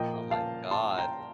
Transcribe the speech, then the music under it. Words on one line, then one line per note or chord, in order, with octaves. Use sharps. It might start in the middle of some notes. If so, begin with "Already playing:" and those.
Oh my god.
Already playing: A#2 F3 A#3 D#5 G5
F5 A5
A5 C6
G5 A#5